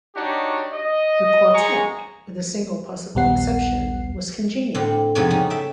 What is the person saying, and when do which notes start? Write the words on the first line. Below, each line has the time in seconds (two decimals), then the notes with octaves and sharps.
The quartet, with a single possible exception, was congenial.
0.16 D4 D#4 F#4 G4 C#5
0.73 D#5
1.54 G#3 G#4 A#5 C#6
3.15 A#1 D#2 G3 B3 F#5 C7
4.74 A2 D3 C4
5.15 F2 G#2 C3 G#3 B3 C4
5.30 C#3 G3 D#4
5.50 A4 E5 G5